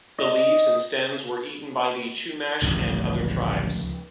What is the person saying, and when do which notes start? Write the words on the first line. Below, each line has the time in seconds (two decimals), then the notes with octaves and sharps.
The leaves and stems were eaten by the Chumash and other tribes.
0.18 D#5
2.62 D1 A1 D2 G2 C#3 F3 G3